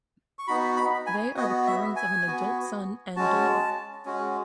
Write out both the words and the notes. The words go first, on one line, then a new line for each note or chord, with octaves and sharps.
They are the parents of an adult son and daughter.
C#6
B3 D#4 F#4 B5
B5
G#5
B3 F#4 D#5
E5
G#5
B3 F#4
G#3 C#4 F#4 A5
G#3 C#4 F#4